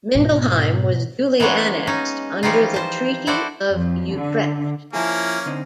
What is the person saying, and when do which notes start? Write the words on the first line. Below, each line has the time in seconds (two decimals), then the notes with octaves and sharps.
Mindelheim was duly annexed under the Treaty of Utrecht.
0.15 G#2 B2
1.40 E3 G#3 A#3 B3 C#4 C#5
1.87 C#4 D#4
2.43 E3 F3 G3 C#4 D#4 F4
2.74 C5 A5
3.27 E4 F#4 A4 C5 D5
3.73 F2
4.13 D3
4.93 F3 A#3 C#4 E4 G#4
5.46 D3 C4 D#4